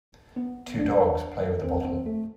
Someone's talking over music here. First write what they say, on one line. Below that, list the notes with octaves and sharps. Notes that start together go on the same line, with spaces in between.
Two dogs play with a bottle.
B3
D4
C4
C4
A3